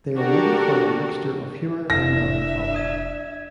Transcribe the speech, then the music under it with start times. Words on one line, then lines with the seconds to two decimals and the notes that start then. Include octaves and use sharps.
They are noted for their mixture of humour and melancholy.
0.15 D4 F#4 G4 A4 A#4
1.90 F1 D4 E4 E5 A#6
2.74 D5 G#6